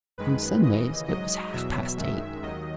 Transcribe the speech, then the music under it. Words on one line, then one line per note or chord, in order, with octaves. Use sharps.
On Sundays it was half-past eight.
F#2 D#3 G#3 B4
D#2 C#3 E3 D#5
G#2 F#3 D#5
E2 B2 F#3 E5
F#2 D#3 G#3 E5
D#2 D#3 F#3 D#5